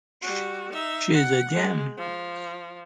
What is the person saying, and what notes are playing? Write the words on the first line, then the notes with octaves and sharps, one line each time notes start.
She’s a gem.
G3 F#4
D#4 E5
F#5
G#3
F3